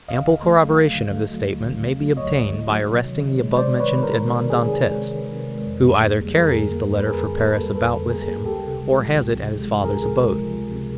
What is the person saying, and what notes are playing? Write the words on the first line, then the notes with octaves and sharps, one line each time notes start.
Ample corroboration of this statement may be obtained by arresting the above-mentioned Edmond Dantes, who either carries the letter for Paris about with him, or has it at his father's abode.
D2 D#5 F5
D3
A3
F#3
D2
D3
A3
F#3
D2
D3
A3
F#3
D2 C#5 D#5
D3
A3
F#3
C3
D#3
C3
G#3
C3 C5 D5
D#3
B4 C#5
C3
B4
A#4 C5
G#3
C3
D#3
G#4
C3
G#4
G#3
C3
D#3
C3
G#3
F2
D3
A#3
G3
F2 G#4 A#4
D3
A#3
G3
B4
F2 G#4 A#4
D3
A#3 A4 B4
G3
F2 A4 B4
D3
A#3 G#4 A#4
G3
C#2 G4 A4
C3
G#3
F3
C#2
C3
G#3
F3
C#2 G#4 A#4
C3
G#3
F3
C#2
C3